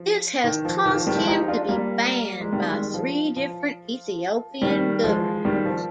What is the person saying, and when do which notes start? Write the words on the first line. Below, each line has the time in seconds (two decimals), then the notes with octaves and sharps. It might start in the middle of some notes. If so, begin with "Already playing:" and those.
This has caused him to be banned by three different Ethiopian governments.
Already playing: F3
0.44 D#3
0.65 F3
0.85 D#3
0.95 F3
1.06 D#3 G3
1.17 F3 G#3
1.27 D#4 G4
1.48 D4 F4
1.68 G3 A#3
2.41 G#3
2.52 D#3 G3
2.68 G#3
2.82 G3
2.94 F3
3.36 F3
4.62 D#3 G3
5.04 F3 G#3
5.45 D#3 G3
5.65 F3